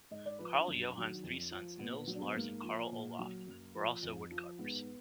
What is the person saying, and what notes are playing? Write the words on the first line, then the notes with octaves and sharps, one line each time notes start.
Carl Johan's three sons, Nils, Lars and Carl Olaf were also woodcarvers.
G#2 D#5
D5
F3 B4
D4
F#2
D#3 F#3
F2
F3
A#2 B3
B3
F#3
D4
B3
G#2 A#3
F3
A#2
F#3
F#2
F3
F2
F3
G#2 B3